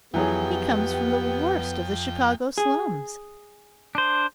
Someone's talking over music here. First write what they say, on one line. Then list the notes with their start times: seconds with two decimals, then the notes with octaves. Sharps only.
He comes from the worst of the Chicago slums.
0.14 F2 E3 F#3 B3 G4 G#4 G5
2.58 G#4
3.95 D4 C5